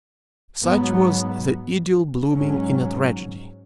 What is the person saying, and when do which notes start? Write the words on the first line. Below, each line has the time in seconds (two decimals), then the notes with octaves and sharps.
Such was the idyll blooming in a tragedy.
0.63 G#2 F#3 B3
2.32 G#2 F#3 C#4